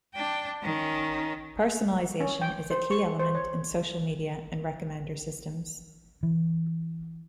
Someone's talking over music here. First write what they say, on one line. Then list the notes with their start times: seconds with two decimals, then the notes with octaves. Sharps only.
Personalization is a key element in social media and recommender systems.
0.15 D4 G5
0.62 D#3 C#4
2.20 C#4
2.41 G5
2.71 C5
2.91 C#6
3.19 C5
3.35 C#5
6.23 E3